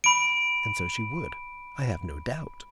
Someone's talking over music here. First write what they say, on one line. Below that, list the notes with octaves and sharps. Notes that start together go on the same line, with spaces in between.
And so she would, I have no doubt.
B5 D7